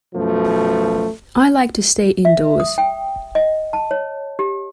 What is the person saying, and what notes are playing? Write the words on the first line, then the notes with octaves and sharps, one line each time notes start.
I like to stay indoors.
F#2 B2 F3 A3
E5
D#6
G5
D#5
A5
C#5
G4